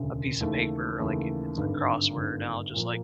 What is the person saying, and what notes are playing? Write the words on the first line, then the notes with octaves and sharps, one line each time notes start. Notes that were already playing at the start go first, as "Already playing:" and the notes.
a piece of paper, like, if it's a crossword, and I'll just, like,
Already playing: E1 D2 C#3
D#2 C#3 E3 A3
D#2 C#3 E3 A3
G#1 G2 D3
G#1 G2 D3
A#2 F3 A#3